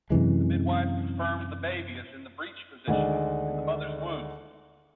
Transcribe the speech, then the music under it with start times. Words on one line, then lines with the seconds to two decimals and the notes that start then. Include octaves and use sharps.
The midwife confirmed the baby is in the breech position in the mother’s womb.
0.10 F#2 C3 E3 G#3
2.88 D2 D#3 G#3 D4